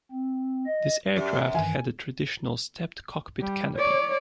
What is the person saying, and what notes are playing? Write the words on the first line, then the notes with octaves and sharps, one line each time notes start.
This aircraft had a traditional stepped cockpit canopy.
C4
D#5
F#2 G4 D5
G2 D#3 E3 G#5
G3
C#5 D5